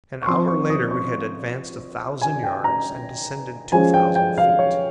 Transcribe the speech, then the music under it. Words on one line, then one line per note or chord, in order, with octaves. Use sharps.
An hour later we had advanced a thousand yards, and descended two thousand feet.
C#6
F3 C4 C6
C#6
D#6
C#6
G#5
G5
A#5
F3 G#3 C#4 G#5
G5
G5
F5
C#5